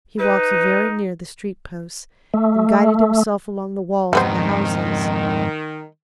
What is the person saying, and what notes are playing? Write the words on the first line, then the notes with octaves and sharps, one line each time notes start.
He walked very near the street-posts, and guided himself along the walls of the houses.
D#4 B4
A3
F2 G#2 D#3 G3 B3 C5